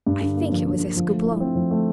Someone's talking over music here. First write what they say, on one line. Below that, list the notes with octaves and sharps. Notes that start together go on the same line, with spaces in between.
I think it was Escoublon.
G2
D3
A#3
F3
G2
D3
F3
A3
E4
C4
F3
A3